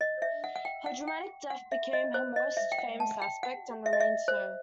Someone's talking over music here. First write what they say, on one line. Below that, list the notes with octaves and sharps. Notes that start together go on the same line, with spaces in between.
Her dramatic death became her most famous aspect, and remains so.
D#5
E5
F#5
F#5
G5
F#5
G5
F#5
E5
D#5
C5
D#5
E5
G5
F#5
A5
G5
F#5
E5
D#5
E5
C5